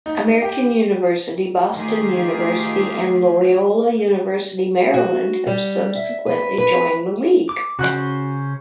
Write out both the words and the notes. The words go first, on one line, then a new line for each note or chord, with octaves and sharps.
American University, Boston University, and Loyola University-Maryland have subsequently joined the league.
D#4
G4
D#3 A3 F4 G4 G#4
F#4
G3
E5
B4
B4
D6
C#3 C#4 F#4 C5 F#6